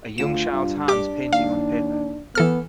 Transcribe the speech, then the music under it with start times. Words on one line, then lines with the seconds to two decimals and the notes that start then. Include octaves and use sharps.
A young child 's hands painting on paper.
0.18 D2 F4 E7
0.52 G2
0.88 D4 G4 D6
1.33 D#2 F5
2.35 E3 B3 A4 F6